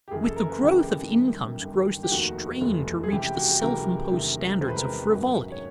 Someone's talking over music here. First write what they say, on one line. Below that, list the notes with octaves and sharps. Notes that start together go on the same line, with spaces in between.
With the growth of incomes grows the strain to reach the self-imposed standards of frivolity.
G4
F#1 F#2 C#3 E3 G#4
A4
A#4
B4
F#1 F#2 C#3 E3 G4
G1 F#2 D#3
G1 F#2 D#3
G4
F1 D#2 D#3 F#4
F1 D#2 D#3
G#4
C#2 C3 E3 G4
G4
F#4
G4
C#2 C3 E3 A#4
E1 D2 C3 D#3 F#3
E1 D2 C3 D#3 F#3 C5
B4
A#4
B4
G#1 F#2 D#3 F#3
C#5